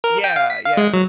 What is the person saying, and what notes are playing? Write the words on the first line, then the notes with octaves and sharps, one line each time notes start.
Yeah, yeah.
A#4
G5
F5
B6
F5
G#3
F#3